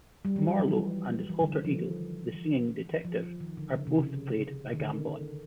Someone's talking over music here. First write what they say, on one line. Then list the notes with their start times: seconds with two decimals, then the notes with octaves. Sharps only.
Marlow and his alter-ego, the singing detective, are both played by Gambon.
0.25 G3
0.36 F#3
0.48 F3
0.59 E3
1.29 E3
1.41 D3
1.53 D#3
1.64 F3
2.34 E3
3.05 F3
3.40 D#3
3.57 D3
3.75 C#3
3.87 C3
3.99 C#3
4.73 D#3
4.80 D3